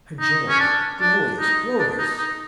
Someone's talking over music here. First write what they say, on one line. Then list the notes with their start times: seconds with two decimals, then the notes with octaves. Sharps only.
By Jove! glowious! glowious!
0.20 D#4
0.48 C#4
0.60 D4
1.00 D4
1.40 D#4
1.79 D4
1.99 D#4
2.18 D#4